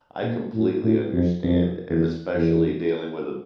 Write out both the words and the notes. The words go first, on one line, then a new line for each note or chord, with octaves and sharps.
I completely understand, and especially dealing with a
A#2
A2
A2
F2
F2
E2
E2